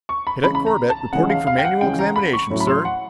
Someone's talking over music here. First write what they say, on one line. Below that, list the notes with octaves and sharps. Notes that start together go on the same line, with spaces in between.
"Cadet Corbett reporting for manual examination, sir!"
C#6
B5
C#3 E3 G#3 C#4 B5
B5
A#5
A5
C#3 E3 G#3 C#4 F#5
F5
F5
G5
F#5
C#3 E3 G#3 C#4 G5
A#5
B5
C#6
A2 F#3 A3 C#4 E4
B5
C6
F#5